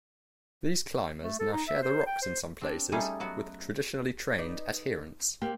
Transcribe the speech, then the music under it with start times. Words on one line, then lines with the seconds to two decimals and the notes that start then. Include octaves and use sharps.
These climbers now share the rocks in some places with traditionally-trained adherents.
1.22 A3
1.39 A4
1.52 D#4
1.68 E5
1.82 C5
2.06 G5
2.22 C5
2.61 C4 D4
2.92 G3 A3 C#4 D#4 G#4
3.20 F#3 B3 F#4
4.38 D#4 B4 D5
5.42 A#3 C4 G4